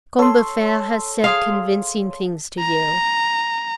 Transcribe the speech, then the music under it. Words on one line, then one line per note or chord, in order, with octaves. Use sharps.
Combeferre has said convincing things to you.
A4 C#5 C6
G#4 F5
A#5